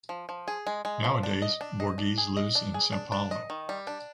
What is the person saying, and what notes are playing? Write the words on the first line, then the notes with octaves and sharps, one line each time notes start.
Nowadays, Borges lives in São Paulo.
F3
F3
G#4
G#3
G#3
F3
D4
D#5
D4
D#5
D4
G#4
D#5
D4
G#4
D4
D4
D#5
D#3
G3
D4